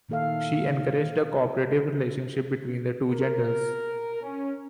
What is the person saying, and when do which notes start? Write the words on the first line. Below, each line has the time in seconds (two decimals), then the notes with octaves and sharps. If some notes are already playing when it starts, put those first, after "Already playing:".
She encouraged a cooperative relationship between the two genders.
0.09 A#2 D#3 A#3 A4 E5 F5
3.11 A#4
4.22 C#4